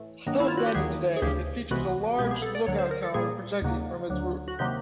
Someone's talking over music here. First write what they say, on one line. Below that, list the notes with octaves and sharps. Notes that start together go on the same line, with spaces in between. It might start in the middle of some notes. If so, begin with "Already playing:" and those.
Still standing today, it features a large lookout tower projecting from its roof.
Already playing: A2 E3 A3
G2 D#3 F#3 A#3
E4
F4
F#4
G4
D#2 D#3 F#3 G#4
G#4
D2 C#3 F3 G4
C2 C3 E3 G#3 B3 F#4
C2 B2 G#3 B3 G4
G#4
A4
D5
D2 D3 F#3 C#5
C5
A#4
A4
A#2 G3 A#3 G#4
D#2 C#3 F#3 A#3
D2 D3 F#3
F#4
C3 D#3 F#3 A#3 G4